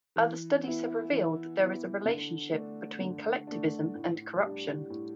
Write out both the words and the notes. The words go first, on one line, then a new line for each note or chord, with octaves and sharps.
Other studies have revealed that there is a relationship between collectivism and corruption.
E3
B3 E4
E3
B3 E4
D3
A3 D4
D3
A3 D4
A2
G3 D4
A2